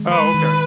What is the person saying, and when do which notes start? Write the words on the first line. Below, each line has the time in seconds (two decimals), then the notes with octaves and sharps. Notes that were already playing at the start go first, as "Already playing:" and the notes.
Oh, okay.
Already playing: D#3 G#3
0.11 G#3 B4
0.34 D#3